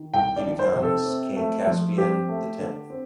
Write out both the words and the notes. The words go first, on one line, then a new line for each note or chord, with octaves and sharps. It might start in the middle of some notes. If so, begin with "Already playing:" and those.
He becomes King Caspian the Tenth.
Already playing: D#3
C2 G5
D5
D#3
C5
C3
A4
C4
A3
F3
C4 G4
A3
D3
C4